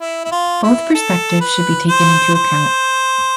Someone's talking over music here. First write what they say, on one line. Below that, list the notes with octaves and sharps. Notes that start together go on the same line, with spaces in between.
Both perspectives should be taken into account.
E4
E4
F4
E4
A4
B4
C5
C5